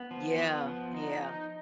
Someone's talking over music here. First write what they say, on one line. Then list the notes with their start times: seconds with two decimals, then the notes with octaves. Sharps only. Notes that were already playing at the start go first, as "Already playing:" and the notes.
Yeah. Yeah.
Already playing: B3
0.11 F3
0.39 B3
0.67 F3
0.94 D#4
1.23 D#4